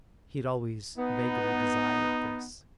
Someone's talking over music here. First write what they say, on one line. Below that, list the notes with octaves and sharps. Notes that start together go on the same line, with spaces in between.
He had always vaguely desired this.
B3 D#4